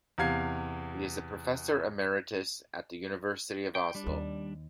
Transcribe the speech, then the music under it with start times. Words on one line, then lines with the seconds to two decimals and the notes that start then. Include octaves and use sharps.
He is a Professor Emeritus at the University of Oslo.
0.18 E2 C3 F5 G#6 C7
3.75 G5
3.95 G3 D4
4.06 D#2